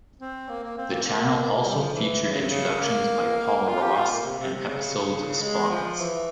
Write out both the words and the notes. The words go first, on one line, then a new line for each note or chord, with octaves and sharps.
The channel also featured introductions by Paul Ross and episodes of Sprockets.
C4
A#3
A#3
C4
A#3
C4
A#3
G3
F3
E3
E3
C#3
C3
C#3
A#3
F4
G4
F4
A#3
C3
C3
C3
C#3
G#3
F3
E3